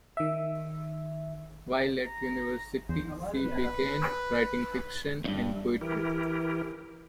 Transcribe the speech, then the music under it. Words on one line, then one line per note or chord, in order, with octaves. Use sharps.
While at university she began writing fiction and poetry.
D#3 E5
A#5
E2 C5
B4
E2 G2
E3 E4 G4 A#4